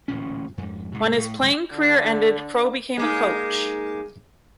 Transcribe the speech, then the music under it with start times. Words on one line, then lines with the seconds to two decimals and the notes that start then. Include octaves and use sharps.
When his playing career ended, Crow became a coach.
0.08 D1 A1 A#2 C#4
0.58 F2 G#2
0.92 G#2 C3
1.18 A2
1.41 G#2 D3 F3 G3
1.74 D3
2.97 G#3 A#3 D#4